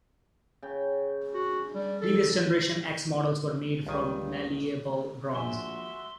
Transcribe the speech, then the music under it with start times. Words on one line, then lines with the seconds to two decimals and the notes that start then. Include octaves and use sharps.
Previous Generation X models were made from malleable bronze.
0.62 C#3 G5
1.34 F#4
1.75 G3
2.01 A4
3.87 C#2 D#3 G3 G#5
5.35 A#1 F#4 E5 G#5 C6